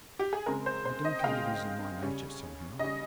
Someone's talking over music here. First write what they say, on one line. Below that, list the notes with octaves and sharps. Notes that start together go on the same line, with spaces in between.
I don't think it is in my nature somehow.'
G4
G#4
C#3 G#3 C4 A#4
C5
C5
D#5
G5
C#3 G#3 C4 F5
C#3 G3 C#4
C#3 G3 C#4 D#5